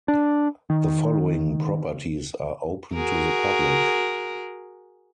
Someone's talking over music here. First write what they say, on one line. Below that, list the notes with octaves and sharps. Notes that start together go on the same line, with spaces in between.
The following properties are open to the public.
D4
D#3
F#4 G#4 A#4